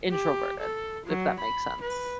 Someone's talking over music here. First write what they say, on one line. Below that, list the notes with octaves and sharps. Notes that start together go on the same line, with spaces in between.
introverted, if that makes sense.
G4
A4
F#3
B5
B4